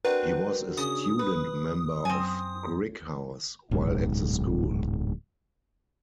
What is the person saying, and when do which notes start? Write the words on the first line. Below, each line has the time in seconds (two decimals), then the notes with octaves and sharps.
He was a student member of Grigg House while at the school.
0.05 C4 D4 F#4 A#4 B4
0.77 C#3 D#6
1.19 B4
2.05 F#2 C4 G#5
3.71 D1 B1 G#2